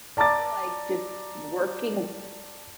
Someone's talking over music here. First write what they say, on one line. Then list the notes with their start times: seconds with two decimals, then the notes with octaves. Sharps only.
I feel like just working
0.17 D5 A5 A#5 D6 A6